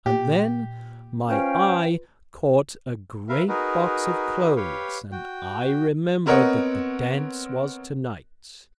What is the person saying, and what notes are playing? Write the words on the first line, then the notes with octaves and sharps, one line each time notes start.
And then my eye caught a great box of clothes, and I remembered that the dance was to-night.
A#2 G4
C#4 F4 B4 C5 F5 G5
A#4 B4 E5 F5
D#4 F#4 G#4 A#4 B4
G4 B4 C#5 F5 G5
F#4 G5
B3 C4 A#4 C#5 D#5 F#5